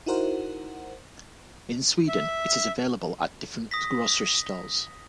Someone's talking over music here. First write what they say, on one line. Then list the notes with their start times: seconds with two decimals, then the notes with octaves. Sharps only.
In Sweden it is available at different grocery stores.
0.06 D#4 E4 F#4 A#4 C5 F#5
2.08 E5
3.71 D#6 A#6 B6